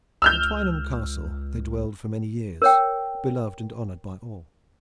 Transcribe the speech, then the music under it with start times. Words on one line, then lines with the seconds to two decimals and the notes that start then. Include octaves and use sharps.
At Twynham Castle they dwelled for many years, beloved and honored by all.
0.22 C#2 E6 F6 G6
2.62 A#4 C#5 G5